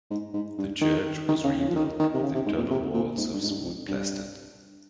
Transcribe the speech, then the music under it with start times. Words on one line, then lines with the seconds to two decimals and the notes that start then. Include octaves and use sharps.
The church was rebuilt with internal walls of smooth plastered.
0.10 G#2
0.33 G#2
0.58 G2
0.81 D#3
1.28 D#3
1.44 C#3
1.60 C#3
1.68 F3
1.75 D#3
1.99 D#3
2.14 C3
2.23 C#3
2.34 C3
2.46 G#2
2.58 A#2
2.70 C3
2.94 A#2
3.17 G#2
3.33 G2
3.43 G#2
3.49 G2
3.64 F2
3.88 G2